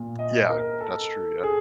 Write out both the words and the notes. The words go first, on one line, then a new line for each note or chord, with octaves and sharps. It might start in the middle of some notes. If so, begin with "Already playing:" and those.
Yeah. That's true. Yeah.
Already playing: A#2
D#5
A#4
A4
G#4